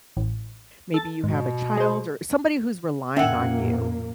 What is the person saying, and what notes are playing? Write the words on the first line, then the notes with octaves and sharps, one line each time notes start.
maybe you have a child er somebody who's relying on you,
A1
A4 A6
G#2 B2
G#3 C5
F2 A#2 A#3 C#4 E5 F#5 G#5 E6